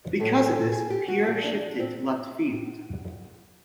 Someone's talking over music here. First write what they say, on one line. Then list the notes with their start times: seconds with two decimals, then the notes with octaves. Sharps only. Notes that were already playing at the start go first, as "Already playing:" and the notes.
Because of this, Pierre shifted to left field.
0.20 A2 F#3 A4
0.37 G#4
0.55 A4
0.72 G#4
0.90 G4
1.08 F#4
1.25 A#2 F3 F4
1.44 D4
1.61 D4
1.79 C4